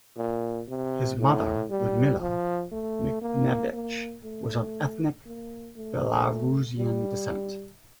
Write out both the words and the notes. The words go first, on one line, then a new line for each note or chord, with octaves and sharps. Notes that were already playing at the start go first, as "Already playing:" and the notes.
His mother, Ludmila Mikhnevich, was of ethnic Belarusian descent.
A#2
C3
A2
G3
F3
A3
A#3
A#3
A3
A#3
A3
G3